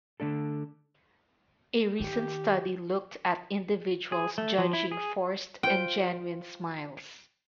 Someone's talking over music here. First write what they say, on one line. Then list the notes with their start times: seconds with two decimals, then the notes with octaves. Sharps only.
A recent study looked at individuals judging forced and genuine smiles.
0.20 D3 A3 D4 A4
2.00 D#3 G4
4.12 G#4
4.38 A3
4.58 F3
4.73 E4
4.91 G#4
5.63 F4 C5 G5